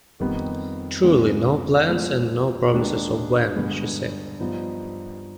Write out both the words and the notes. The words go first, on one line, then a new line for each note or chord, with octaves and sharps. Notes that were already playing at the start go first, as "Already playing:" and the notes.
"Truly, no plans and no promises of when," she said.
F2 D#3 G3 B3 D#4
F2 D3 G#3 B3
F3 G#3 B3
D#2 D#3 G#3 D4 G#4
G2 D3 G#3 B3
G2 F3 B3 D#4